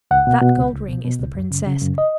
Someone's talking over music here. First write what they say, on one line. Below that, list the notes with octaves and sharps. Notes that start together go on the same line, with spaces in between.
That gold ring is the princess.
C#2 F#5
B2
B2
C#2
C#2
B2
B2
C#2
F#2
C#3
C#3
F#2
D#5